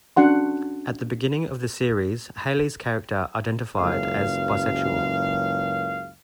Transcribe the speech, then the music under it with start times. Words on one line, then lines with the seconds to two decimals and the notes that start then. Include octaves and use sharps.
At the beginning of the series, Hailey's character identified as bisexual.
0.16 C#4 D4 F#4 F#5 C6
3.79 F#1 C#2 F#2 F5